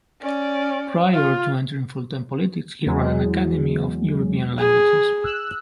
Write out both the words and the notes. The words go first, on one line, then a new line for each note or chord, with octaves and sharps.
Prior to entering full-time politics he ran an academy of European languages.
C#4 D5
F4
E2 F#3 G#3
G#4
E6 F#6